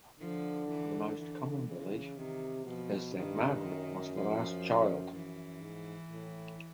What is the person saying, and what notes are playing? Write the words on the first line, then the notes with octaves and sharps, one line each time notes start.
The most common belief is that Margaret was the last child.
D3 F3
E3
D3 E3
C#3
C3 D#3
B2 F3
G2 D#3
F#2
F3
F#2 E3
G#2
A2